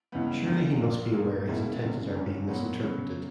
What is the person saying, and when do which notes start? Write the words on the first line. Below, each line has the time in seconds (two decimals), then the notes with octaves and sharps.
Surely he must be aware his intentions are being misinterpreted.
0.12 C#2 C#3 E3 G3 B3
0.46 E2 D3 G3 A#3
0.80 A#1 A#2 A#3
1.13 B1 A#2 A#3
1.47 C#2 B2 A#3 E4
1.80 F#1 E2 C#3
2.14 F#1 F#2 D3 G3 C#4
2.48 A#2 F#3 B3
2.82 C#3 F#3 B3